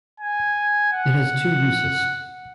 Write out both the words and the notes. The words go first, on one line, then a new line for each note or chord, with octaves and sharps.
It has two uses.
G#5
F#5